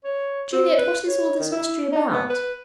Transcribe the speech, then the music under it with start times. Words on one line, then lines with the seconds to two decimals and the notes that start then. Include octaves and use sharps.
Juliet, what is all this mystery about?
0.04 C#5
0.53 C4
0.78 B4
1.07 C#5
1.39 D#3
1.52 E4
1.92 D#4
2.12 B3
2.30 B4